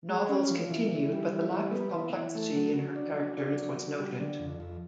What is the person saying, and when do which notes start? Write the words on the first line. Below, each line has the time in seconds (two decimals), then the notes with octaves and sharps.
Novels continued but the lack of complexity in her characters was noted.
0.09 G#3
0.29 C#4
0.51 F3
0.70 E3
0.92 E3
1.12 G3
1.32 E3
1.53 G3
1.73 B3
1.94 E3
2.14 E3
2.35 A3
2.56 F#3
2.76 F#3
2.96 D4
3.17 F#3
3.37 D4
3.57 F#3
3.79 F#3
3.99 G3
4.20 D3
4.39 F2
4.60 F2